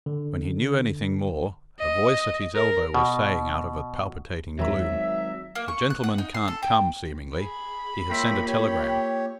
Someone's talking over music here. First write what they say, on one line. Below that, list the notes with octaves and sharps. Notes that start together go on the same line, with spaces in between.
When he knew anything more, a voice at his elbow was saying out of a palpitating gloom, "The gentleman can't come, seemingly; he has sent a telegram."
D3
D#5
A#4
B2
G#1 E2 D#3 F#3 E5 A#5
A#3
C#6
F#6
F#5
D#4
C6
A4
G5
G#4 B5
A#3 F4 C#5 E5 G5
G4 C#5 G5